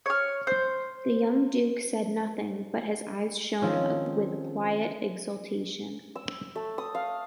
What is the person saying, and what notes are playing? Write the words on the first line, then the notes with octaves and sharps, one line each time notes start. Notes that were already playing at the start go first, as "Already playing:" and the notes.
The young Duke said nothing, but his eyes shone with quiet exultation.
C#5 F6
C5
D#3 F3 C4 C#4
E6
A3
D#6
F5